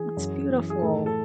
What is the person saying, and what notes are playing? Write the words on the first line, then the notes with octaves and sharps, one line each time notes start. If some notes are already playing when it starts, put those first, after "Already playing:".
That's beautiful.
Already playing: E3 G#4
F#2
E3
G#4
A2 A4
A4